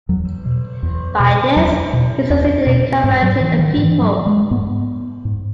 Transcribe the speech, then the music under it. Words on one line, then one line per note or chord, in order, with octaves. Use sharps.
By this he succeeded in converting the people.
E2 F#3
B2
E2
B2
E2 F#3
B2
E2
B2
G#2
F#3
E3
D#3
G#2 E3
F#3
G#3
G#2 B3
G#2